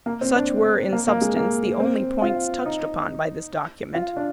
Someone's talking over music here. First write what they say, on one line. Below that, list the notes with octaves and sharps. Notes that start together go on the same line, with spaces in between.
Such were, in substance, the only points touched upon by this document.
A#3
C4
D4
A#3
A#3
G#3
A#3
C4
F4
D#4
F4
D4